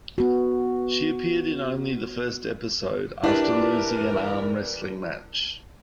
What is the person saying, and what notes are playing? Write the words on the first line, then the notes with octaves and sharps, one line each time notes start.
She appeared in only the first episode, after losing an arm wrestling match.
B3 F#4
E3 D4 E4 G4 A#4 B4 D5